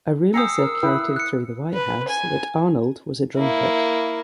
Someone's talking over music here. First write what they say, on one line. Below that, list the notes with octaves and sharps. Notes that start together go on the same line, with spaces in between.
A rumor circulated through the White House that Arnold was a "drunkard".
G5 G#5 A#5 D#6 E6 C7 C#7
A#4
E4 B4 G5 D#6
F#6 C#7
B4
G#5
A#3 E4